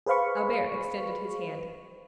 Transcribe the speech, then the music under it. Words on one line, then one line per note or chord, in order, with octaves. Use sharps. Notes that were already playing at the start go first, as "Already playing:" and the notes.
Albert extended his hand.
G#4 B4 C5 F5 B5 C#6